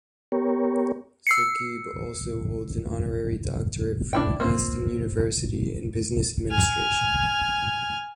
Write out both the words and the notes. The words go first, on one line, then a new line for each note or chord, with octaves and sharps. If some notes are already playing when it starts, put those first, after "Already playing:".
Saqib also holds an honorary doctorate from Aston University in Business Administration.
B3 G4 A#4 C#5
E6 C7 C#7
D4 E4 G5
A#3 C4 F4
G#5 F6